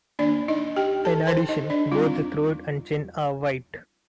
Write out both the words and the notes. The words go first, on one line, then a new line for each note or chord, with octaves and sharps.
In addition, both the throat and chin are white.
D#3 A#3 D4 D5
D#4 D#5
G4 G5
A4 A5
C5 C6
D#4 D#5
D4 D5
G3 C4 D#4 F4